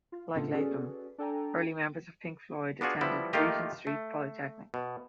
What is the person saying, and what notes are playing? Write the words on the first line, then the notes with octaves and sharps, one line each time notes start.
Like Latham, early members of Pink Floyd attended Regent Street Polytechnic.
F4
A2 C#3 B3 D4 F4 A4
C#4 F#4 G#4 A4 B4 D5
D4 A4 G5 G#5 A#5
B3 D4 F4 F#4 G#4
F3 G3 B3 E4
D#3 A3 A#3 F4 G4 D#5
A3
B2